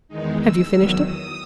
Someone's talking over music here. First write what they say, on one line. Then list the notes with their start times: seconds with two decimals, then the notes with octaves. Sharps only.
Have you finished it?
0.08 E2 D#3 G#3 D#4
0.40 E6
0.71 E2 D#3 F#3 E6
1.02 D#6